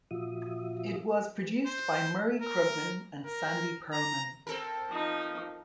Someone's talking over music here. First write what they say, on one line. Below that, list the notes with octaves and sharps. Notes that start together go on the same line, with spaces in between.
It was produced by Murray Krugman and Sandy Pearlman.
A#2 F3 F4 F#4 E5 D#6
C5
A#4
A#4
A#5
C4 A4 A#4
F3 D#4